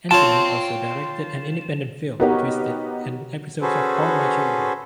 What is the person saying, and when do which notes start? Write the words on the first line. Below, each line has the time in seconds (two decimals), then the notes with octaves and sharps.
Anthony also directed an independent film, "Twisted", and episodes of "All My Children".
0.11 F4 C#5 G5 A5 C6
2.20 B3 D#4 F#4 G4 A#4 C#5
3.61 C#4 F#4 G#4 A4 B4 C5